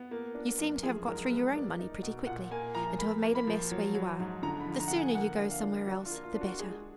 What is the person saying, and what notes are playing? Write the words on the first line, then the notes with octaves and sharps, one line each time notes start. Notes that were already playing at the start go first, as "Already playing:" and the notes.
You seem to have got through your own money pretty quickly, and to have made a mess where you are; the sooner you go somewhere else the better.
Already playing: B3
A#3
D4
F#2
F3 G#4
G#2 A#4
G#3 B4
A#3 D5
D#4
B2
A#2 F#5
A#3 G#5
F3 A#5
A#3 B5
A#3
B5
F3
F#3
F#3
G#2
D3 A#5
B5
F3
A#5
D3 F#5
G#5
A#3 F#5
D4
F5
D4
D4 F#4
F4
A#3
F4
D4
F#4
G#3 G#4